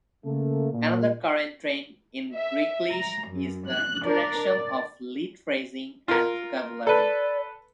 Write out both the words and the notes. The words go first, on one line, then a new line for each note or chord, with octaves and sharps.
Another current trend in Greeklish is the introduction of Leet phrasing and vocabulary.
C#3 A3 A#3 A4
A#2
E5
A#5
F#2
F#6
D4 A#4 D5
D5
F4 A#4
A4 B4 D5